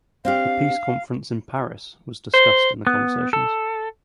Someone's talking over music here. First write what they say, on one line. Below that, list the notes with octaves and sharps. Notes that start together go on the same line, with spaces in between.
The Peace Conference in Paris was discussed in the conversations.
C4 D4 G4 F5
C5
B3
A4